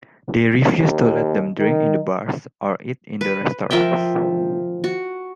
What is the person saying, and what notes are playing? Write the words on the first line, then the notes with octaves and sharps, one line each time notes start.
They refuse to let them drink in the bars or eat in the restaurants.
D#2
D#3
B4
F3 A#4 E5 G5
F#4